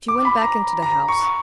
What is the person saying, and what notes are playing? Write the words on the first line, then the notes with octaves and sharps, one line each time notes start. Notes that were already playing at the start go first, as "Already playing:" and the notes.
She went back into the house.
D6
B5
A#5
A#5
C#6